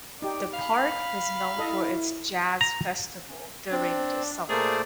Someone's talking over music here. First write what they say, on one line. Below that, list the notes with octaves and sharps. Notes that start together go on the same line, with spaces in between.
The park is known for its jazz festival during the summer.
D#4 G4 D5
F5 B5
E4 A4 D#5
A#5
C4 D4
A#2 A3 G#4 A#4 C5 D5